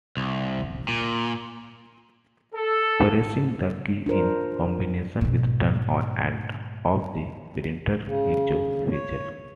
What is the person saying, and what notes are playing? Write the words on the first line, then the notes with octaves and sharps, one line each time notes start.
Pressing the key in combination with turns on and off the "printer echo" feature.
C2
A#2
A4
D4 F4 A#4 C5
G#2 B2
C#3
C#5